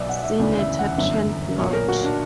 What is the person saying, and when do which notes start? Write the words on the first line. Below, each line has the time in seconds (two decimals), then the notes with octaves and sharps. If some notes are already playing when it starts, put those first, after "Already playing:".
Senator Trent Lott.
Already playing: B1 B2 D5 E5
0.09 F#5
0.24 E5
0.39 E1 D2 C#3 E3 D5
0.59 E5
0.79 F#5
0.98 G1 F#2 D3 E5
1.58 B1 A#2 C#5
1.73 A#4
1.88 F#4
2.04 D4